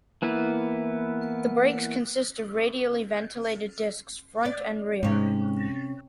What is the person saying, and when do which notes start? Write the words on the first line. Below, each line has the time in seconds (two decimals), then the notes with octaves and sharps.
The brakes consist of radially ventilated discs front and rear.
0.22 E3 A#3 B3 E4 B4
4.45 D5
5.03 G#2 C3 C#4